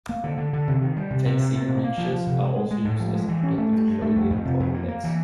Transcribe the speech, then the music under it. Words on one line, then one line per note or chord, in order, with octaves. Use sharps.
Fencing breeches are also used as a protective clothing for the legs.
A#3
D3
D3
D3
C3
D#3
G3
C3
C3
C3
C3
A#3
A#3
F3
F3
C3
G#3
G#3
G#3
A2
F3
G#3
E3
C#4
A3
G2
G2
A3
F2
F2
C3
F2
A#3
A#3
E3